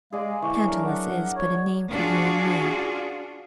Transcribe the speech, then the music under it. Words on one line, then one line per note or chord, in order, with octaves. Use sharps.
Tantalus is but a name for you and me.
G#3 G#4 D5 F5
D3 E3 C#6
F#3 D4 A#4
F#5
C#5
D4 F4 F#4 G#4